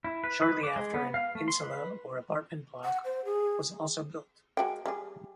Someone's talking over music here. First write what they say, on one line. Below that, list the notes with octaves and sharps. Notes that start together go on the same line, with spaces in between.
Shortly after an "insula", or apartment block, was also built.
E4
B4
B4
D6
G#3
B3
F5
A3
C6
B4
F#5
C5
G#4
G#3 F#4 G5
G3 G#4